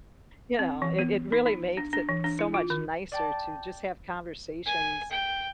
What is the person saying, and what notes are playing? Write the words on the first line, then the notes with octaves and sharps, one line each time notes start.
you know, it it really makes it so much nicer to just have conversations,
C4
E3
B3
D#4
D#4
D4
D4
E3
D4
E4
F4
D#3
D5 G5 A5
G#5
G5